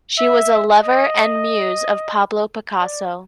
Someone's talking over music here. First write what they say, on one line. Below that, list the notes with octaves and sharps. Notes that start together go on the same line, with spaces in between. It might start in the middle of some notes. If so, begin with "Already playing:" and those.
She was a lover and muse of Pablo Picasso.
E5
D#5
D5